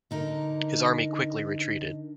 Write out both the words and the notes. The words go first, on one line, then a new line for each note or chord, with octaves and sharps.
His army quickly retreated.
D3 D#4 A#4